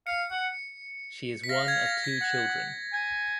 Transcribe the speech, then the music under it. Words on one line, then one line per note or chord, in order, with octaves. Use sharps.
She is one of two children.
F5 C#7
F#5
B6
F5 A#6
G#6
A#6
B6
F#5 A#6
G#5